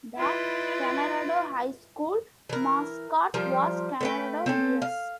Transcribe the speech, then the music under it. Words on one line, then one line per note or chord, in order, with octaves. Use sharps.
The Kanorado High School mascot was Kanorado Bears.
E4 F4 B4 D5 D#5
E3 A#4
F3 G3 A#4 C5
A3 B4 G5
C4 C#4 A4
F5